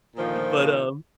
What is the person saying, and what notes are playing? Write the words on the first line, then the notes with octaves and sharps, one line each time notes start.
But, um
A#2 D3 D#3 F3